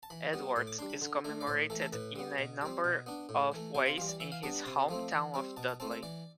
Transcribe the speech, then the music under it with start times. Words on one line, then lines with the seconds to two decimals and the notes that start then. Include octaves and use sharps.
Edwards is commemorated in a number of ways in his home town of Dudley.
0.03 A5
0.10 E3 B5
0.33 G3 B3
0.56 A2 C6
0.67 D6
0.78 D4 C6
0.82 G3
0.90 B5
1.01 D3
1.24 A3 D4
1.41 D5
1.47 A2 C5
1.70 E3 A3 A4
1.82 A4
1.93 A2 B4
2.16 G3 B3
2.38 B2
2.61 G3 C4
2.84 B2
3.06 B3 D4
3.29 A2
3.52 E3 A3
3.75 C3 C5
3.86 F4
3.98 E3 G3 F4
4.09 D5
4.20 E3 E5
4.32 F5
4.43 G3 B3 D4 A5
4.54 B5
4.65 C3 C6
4.89 F3 A3 C4
5.11 E3
5.34 G3 C4
5.57 B2 A5
5.68 A5
5.80 A3 C4 A5
5.91 E5
6.03 E3 D5